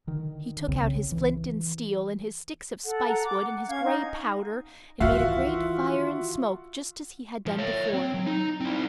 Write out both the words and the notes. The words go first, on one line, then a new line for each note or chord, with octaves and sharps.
He took out his flint and steel, and his sticks of spice-wood and his gray powder, and made a great fire and smoke just as he had done before.
D3 D#3
C2 C#3 C4
E3
A4 F#5
F#5 A#5
D6
F#5
C#4 F5 G#6
D#4
D#3 E3 F4 F#4 E5 F5
F3
C#5 E5
C4
F#3
D#4
C4 E4